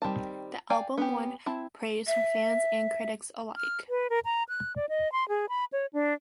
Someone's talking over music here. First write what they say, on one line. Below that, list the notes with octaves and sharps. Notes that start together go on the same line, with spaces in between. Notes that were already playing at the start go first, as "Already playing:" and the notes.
The album won praise from fans and critics alike.
D#3 G3 C4 A5
D5 F5 G5 G#5
B3 C#4 G4
C4 E4 A5
E5
F6
B4
A#4
A#5
F#6
D5
D#5
C6
G#4
B5
C#5
D4